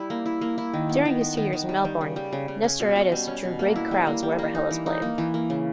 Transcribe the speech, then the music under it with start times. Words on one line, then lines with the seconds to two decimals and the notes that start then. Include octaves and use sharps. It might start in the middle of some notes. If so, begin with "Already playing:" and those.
During his two years in Melbourne, Nestoridis drew big crowds where ever Hellas played.
Already playing: G3 E4
0.10 A#3
0.26 E4
0.41 A#3
0.58 E4
0.74 D#3
0.89 B3
1.05 D#3
1.21 B3
1.37 D#3
1.53 D#3
1.69 G3
1.85 G3
2.01 C#3
2.16 G3
2.33 C#3
2.48 C#3
2.64 C#4
2.80 B2
2.96 B2
3.12 G3
3.28 C#4
3.43 B2
3.59 A#3
3.76 E4
3.91 G3
4.07 A#3
4.23 G3
4.39 A#3
4.55 D#4
4.71 E3
4.86 D#4
5.02 A#3
5.18 E3
5.34 A#3
5.50 C#3